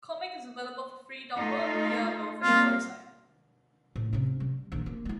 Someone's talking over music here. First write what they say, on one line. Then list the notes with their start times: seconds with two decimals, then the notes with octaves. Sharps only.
The comic is available for free download, via the official website.
1.37 A3 D#4 F4
2.43 G3 A#3 C4 F4
3.96 A2
4.13 C3 C#4
4.40 G3
4.72 A#1 D#3
4.86 A#3
5.05 G#3 E4